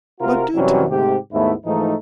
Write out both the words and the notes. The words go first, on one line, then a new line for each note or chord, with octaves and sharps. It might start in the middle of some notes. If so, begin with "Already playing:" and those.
"But do tell me!"
C3 F4 F#4 A#4
F#2 C3 E3 F#3 G3 C#4
G#2 C3 A3 G4
D#2 G#2 A3 B3 E4
G#2 E3 F3 A3 D#4